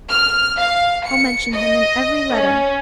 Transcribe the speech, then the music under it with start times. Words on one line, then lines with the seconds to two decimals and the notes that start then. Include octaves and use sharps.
I'll mention him in every letter.'
0.11 F6
0.58 F5
1.07 C#7
1.54 D#5
2.34 C#4